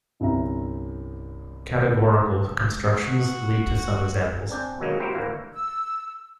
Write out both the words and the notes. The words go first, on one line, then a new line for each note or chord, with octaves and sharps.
Categorical constructions lead to some examples.
G1 C2 C#4 E5 A#5
F#4
C4 D4 D5 G5 G#5
B2 D#3 F#3 G#3 A#3 C#4
E4 F#4 G4 A#4 C5
D2 A2 E3 A#3
E6